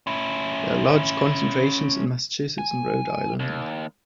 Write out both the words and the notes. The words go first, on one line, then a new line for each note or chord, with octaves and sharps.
There are large concentrations in Massachusetts and Rhode Island.
C#4 E4
G#5
D#2